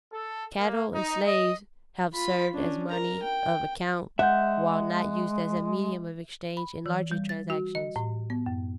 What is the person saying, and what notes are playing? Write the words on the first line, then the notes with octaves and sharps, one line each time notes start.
Cattle and slaves have served as money of account while not used as a medium of exchange in larger transactions.
A4
A#3
D#4
D#5
F4 B5
C#4 D4
A#4 A#5
G5
G#3 E5 F#5 G6
B5
E3
G3
A6
F#4
D#5
A2
B3
F#2